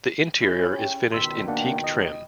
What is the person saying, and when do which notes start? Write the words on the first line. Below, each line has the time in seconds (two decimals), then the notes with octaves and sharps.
The interior is finished in teak trim.
0.42 C#4 E4
0.71 G4 G#4 C#5
1.12 C#2 B2 D#3 C6 E6 B6
1.48 A#3 D4 F#5 G5
1.84 D#5